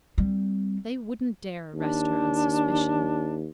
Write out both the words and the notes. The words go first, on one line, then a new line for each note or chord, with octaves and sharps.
"They wouldn't dare arrest her on suspicion."
G3 C4
D#2 D4